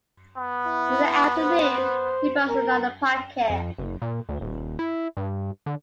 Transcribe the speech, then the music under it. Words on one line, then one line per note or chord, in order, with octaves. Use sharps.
In the afternoon he brought another packet.
B3
E4
C5
A#4
F2
F#1
A#2
D2
D#1
E4
G2
D3